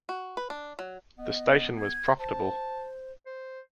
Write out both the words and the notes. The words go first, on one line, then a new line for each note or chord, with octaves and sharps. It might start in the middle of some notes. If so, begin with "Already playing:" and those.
The station was profitable.
F#4
B4
D4
F#3
B3 D#5
G#6
C5 A5
C5